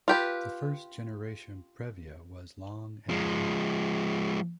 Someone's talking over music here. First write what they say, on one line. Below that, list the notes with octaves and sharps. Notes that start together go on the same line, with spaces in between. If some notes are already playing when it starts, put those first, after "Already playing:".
The first generation Previa was long and wide.
F4 G4 B4
F3 G#3